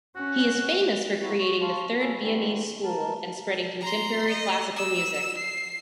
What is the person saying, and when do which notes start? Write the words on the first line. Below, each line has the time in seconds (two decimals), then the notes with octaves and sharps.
He is famous for creating the "Third Viennese School" and spreading contemporary classical music.
0.16 C#4 F#4
1.22 A3 A#3 C4 E4 F#4
1.40 C#6
1.61 F5 A5 C6 C#6
1.99 F#3 C#4 A4 B5
2.17 D3 E3 G3 A3
2.84 A#4 A5
3.81 A#5 C6
4.29 D#5
4.76 E6
5.38 C7